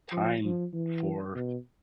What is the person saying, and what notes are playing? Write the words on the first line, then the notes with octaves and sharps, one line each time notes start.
time for,
F3
F3
E3
B2